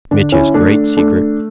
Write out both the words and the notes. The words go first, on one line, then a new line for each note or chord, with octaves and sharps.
Mitya's Great Secret.
D3 D4
C#4 E4
A3 D4
A3 D4